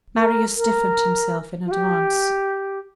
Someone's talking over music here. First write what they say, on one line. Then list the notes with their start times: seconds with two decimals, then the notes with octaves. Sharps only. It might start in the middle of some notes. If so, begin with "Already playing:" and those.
Marius stiffened himself in advance.
0.18 A#4
0.56 A#4
1.66 F4
1.71 G4